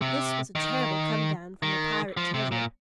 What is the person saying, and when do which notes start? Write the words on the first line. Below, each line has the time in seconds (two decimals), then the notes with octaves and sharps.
This was a terrible come-down from a pirate treasure.
0.02 C3
0.55 D#3
1.63 D#3
2.17 F3
2.34 C3
2.52 A#2